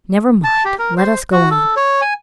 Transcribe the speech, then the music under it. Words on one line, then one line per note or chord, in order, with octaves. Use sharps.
"Never mind; let us go on."
A5
G4
A#4
C5
F#4
A4
C#5
G#5